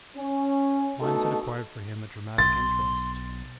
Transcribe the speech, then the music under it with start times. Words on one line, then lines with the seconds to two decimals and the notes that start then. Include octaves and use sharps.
Mines had acquired for him a dramatic interest.
0.15 C#4
1.01 B2 A3 D#4 F#4 A4
2.38 B1 C6 A6